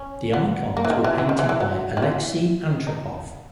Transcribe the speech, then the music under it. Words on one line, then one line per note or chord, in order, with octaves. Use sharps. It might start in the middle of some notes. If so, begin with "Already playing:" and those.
The icons were painted by Aleksey Antropov.
Already playing: C#4
B3
A#3
E3
D#3
E3
E3
D#3
E3
E3
F#3
D#3
E3
D#4